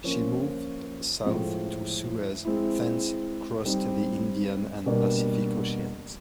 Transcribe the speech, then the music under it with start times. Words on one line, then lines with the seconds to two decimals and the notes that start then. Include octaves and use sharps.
She moved south to Suez, thence crossed the Indian and Pacific Oceans.
0.04 F3 A#3 C#4 F4
1.24 A2 F3 G#3
2.45 G#3 C4 E4
3.65 G3 C4 D#4
4.86 B2 G3 A#3 D4